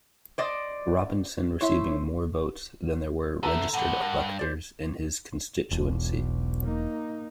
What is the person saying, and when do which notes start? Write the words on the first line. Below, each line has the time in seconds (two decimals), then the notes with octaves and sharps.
Robinson receiving more votes than there were registered electors in his constituency.
0.38 C5 D5 D#5
1.61 E4 C5 C#5 E5
3.43 D3 A4 B4 E5 A#5
3.74 A2 E3 F#5
4.01 G2 A#4
4.39 C5 D5
5.71 E1 B1
6.65 A#3 D#4